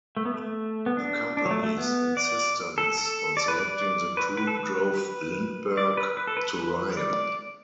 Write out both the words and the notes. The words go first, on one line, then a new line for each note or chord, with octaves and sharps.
The company's insistence on selecting the crew drove Lindbergh to Ryan.
A3
B3
A3
B3
D4
D4
F#3
A3
A3
B3
D5
A4
A4
D5
B4
D5
B4
B4
A4
B4
B4
D5
B4
B4
A4
B4
B4
D5